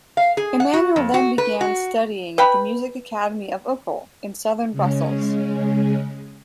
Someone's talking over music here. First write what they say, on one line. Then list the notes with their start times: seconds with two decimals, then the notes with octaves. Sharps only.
Emmanuel then began studying at the "Music Academy of Uccle" in Southern Brussels.
0.17 F5
0.37 G#4
0.60 F#5
0.74 F#4
0.96 F2
1.14 F#4
1.38 B4
1.61 F#4
2.38 B4 G5 B5
4.72 C#3 G#3 C#4